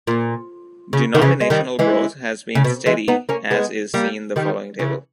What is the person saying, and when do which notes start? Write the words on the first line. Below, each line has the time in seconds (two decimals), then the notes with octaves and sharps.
Denominational growth has been steady as is seen the following table.
0.07 A#2
0.93 C#3
1.15 D#3
1.22 C#3 E3
1.41 G#3
1.50 D#3 G3
1.79 E3 G#3
2.55 C#3
2.64 B2
2.86 E3 G#3
3.08 B3 D#4
3.29 A#3 C#4
3.51 G#3 B3
3.94 G3 A#3
4.36 D#3 G3
4.79 C#3 E3